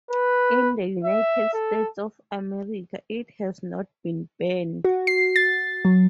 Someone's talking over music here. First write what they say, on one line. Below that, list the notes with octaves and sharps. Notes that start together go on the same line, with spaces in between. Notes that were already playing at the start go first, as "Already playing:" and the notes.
In the United States of America, it has not been banned.
B4
E5
A4
F#4
C7
A6
F#3